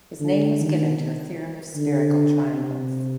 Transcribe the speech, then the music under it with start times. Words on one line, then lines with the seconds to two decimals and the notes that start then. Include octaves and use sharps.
His name was given to a theorem of spherical triangles.
0.20 D3
0.60 D#3
1.76 D3
2.53 C3